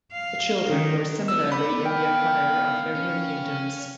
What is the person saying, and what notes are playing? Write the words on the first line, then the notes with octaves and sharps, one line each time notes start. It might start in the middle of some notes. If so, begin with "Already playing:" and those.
The children were similarly in the attire of their new kingdoms.
F5
D#3
B3 E6
D5 B5
F5 G5
C#4